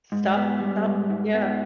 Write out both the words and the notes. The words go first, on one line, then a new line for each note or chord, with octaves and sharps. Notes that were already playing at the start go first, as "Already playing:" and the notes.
Stop stop yeah.
G#2
B3
G3
G#2
G#2
B3